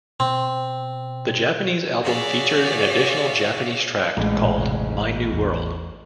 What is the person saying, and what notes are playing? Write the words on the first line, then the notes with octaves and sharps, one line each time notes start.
The Japanese album features an additional Japanese track called ""My New World"".
B2 C4
F#4 G#4 C#5 D5 E5 F5
A1 G#3
A#2
E1 C3
E2 B3